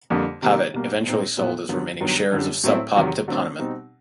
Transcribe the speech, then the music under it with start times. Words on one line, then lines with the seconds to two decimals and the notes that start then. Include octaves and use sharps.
Pavitt eventually sold his remaining shares of Sub Pop to Poneman.
0.10 F2 D3 G3 A#3
0.42 C3 D#3 G3 A#3 D#4
0.74 B2 G3 A#3
1.05 A#2 G3 C4 D#4
1.37 A#2 F#3 B3 E4
1.69 G2 D3 F#3 B3
2.01 G2 D#3 F#3 B3
2.32 F#2 D3 G3
2.64 A2 F#3 A3 C4 E4
2.96 E2 C3 D#3 F#3
3.28 D3 F#3 A3 C4
3.59 B2 G3 C4 D#4